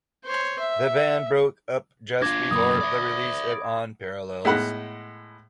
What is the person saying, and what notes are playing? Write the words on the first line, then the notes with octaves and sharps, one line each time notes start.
The band broke up just before the release of On Parallels.
C5 C#5
E5
D4 F4 D6 G#6 A#6
F#2 A#3 B5 D#6
D5 E5
A2 G#3 B3 F#5 B5